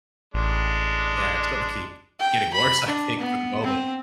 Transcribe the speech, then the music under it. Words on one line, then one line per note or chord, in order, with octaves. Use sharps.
yeah, it's gonna keep getting worse, I think, for the moment,
A1 G#3 D4
G5
B5
D4
B3
C4